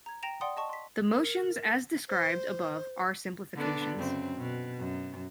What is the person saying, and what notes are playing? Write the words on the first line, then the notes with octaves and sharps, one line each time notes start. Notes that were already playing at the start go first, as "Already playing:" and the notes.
The motions as described above are simplifications.
A#5 G#6
G5 A#5 A#6 D7 E7 F7
D5 F#5 G5 C6 D#6
D#5 A5 C#6
C6 B6
A#4
C5
D3 B3 D4
F#2 C#3 C4
B2
F#2